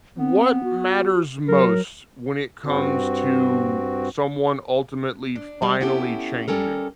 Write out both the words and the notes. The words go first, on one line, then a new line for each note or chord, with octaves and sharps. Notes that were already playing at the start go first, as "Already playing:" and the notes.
What matters most when it comes to someone ultimately finally changing?
B3 C4
F#4
F#3 A#4
G2 C4 F#4
D4
A2 G3 G#3
B3 C#4 E4 G4 A4
G3 C#4 A4 A#4